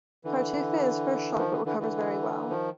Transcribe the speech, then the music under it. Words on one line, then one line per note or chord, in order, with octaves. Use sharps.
Tartuffe is at first shocked but recovers very well.
D3 E3
D#3 F3
D3 E3
D3 E3
D3 E3
D#3 F3